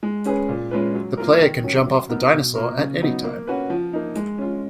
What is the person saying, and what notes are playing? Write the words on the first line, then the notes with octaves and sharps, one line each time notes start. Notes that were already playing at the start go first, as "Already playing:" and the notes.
The player can jump off of the dinosaur at any time.
G#3
C#4 G#4 B4
A#2
G#3 C#4 F4 B4
F#3
A#3 F4 A#4
D#3
F#3 C#4
F#3
B3 D#4 A#4
B2
A#3 F4 A#4
C#3
F#3 B3 D#4
A#3
C#4 F#4 B4
F3
A#3 D#4
G#3
C#4 F4